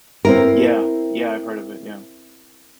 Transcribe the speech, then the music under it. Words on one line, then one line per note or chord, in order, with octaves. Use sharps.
Yeah, yeah, I've heard of it, yeah.
C4 E4 A#4